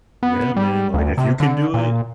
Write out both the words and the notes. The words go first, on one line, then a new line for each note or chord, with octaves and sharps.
Yeah, man. Like, if you can do it
B3
G3
D2
C3
D3
A#2